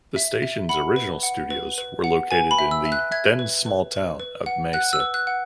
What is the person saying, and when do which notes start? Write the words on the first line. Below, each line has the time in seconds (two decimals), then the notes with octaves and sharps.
The station's original studios were located in the then-small town of Mesa.
0.16 E5
0.43 E5
0.69 F#5 B5
0.96 B4
1.23 F#5
1.50 B4
1.78 B4
2.04 F#5
2.31 B4 G#5
2.51 B5
2.59 E5
2.71 E6
2.85 E5
2.92 F#6
3.12 E5 G#6
3.39 B4
3.66 B4
3.93 B4
4.20 B4
4.46 F#5
4.73 F#5 F#6
4.93 E6
5.00 B4
5.14 F#6
5.27 F#5